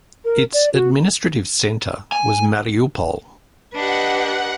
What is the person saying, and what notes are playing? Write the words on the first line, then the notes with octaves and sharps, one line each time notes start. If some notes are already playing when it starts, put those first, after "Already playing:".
Its administrative centre was Mariupol.
A#4
D5
F#4
G#5
D4 G4 B4 D#5 F#5